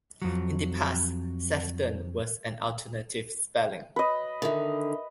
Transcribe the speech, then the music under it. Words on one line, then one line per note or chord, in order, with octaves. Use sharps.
In the past "Sephton" was an alternative spelling.
F2 F#3
B4 D#5
D3 D#3 A#4 E5